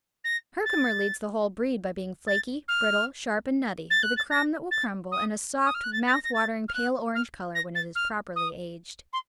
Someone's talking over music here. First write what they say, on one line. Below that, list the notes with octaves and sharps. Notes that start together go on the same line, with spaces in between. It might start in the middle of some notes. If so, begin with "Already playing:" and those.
Herkimer leads the whole breed by being flaky, brittle, sharp and nutty, with a crumb that will crumble, and a soft, mouth-watering pale orange color when it is properly aged.
A#6
A6
A6
F6
A6
F#6
A6
A#6
A6
D#6
D#6
F6
F#6
A6
A6
A#6
A#6
A6
F6
F#6
F6
A#6
A6
F6
D#6
C6